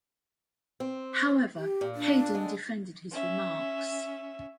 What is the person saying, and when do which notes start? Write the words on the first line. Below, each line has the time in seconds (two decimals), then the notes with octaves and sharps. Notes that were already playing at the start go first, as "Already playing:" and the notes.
However, Hayden defended his remarks.
0.80 C4
1.57 G4
1.81 A#2
1.95 D4
2.34 D3 G#3
3.11 C#4 E5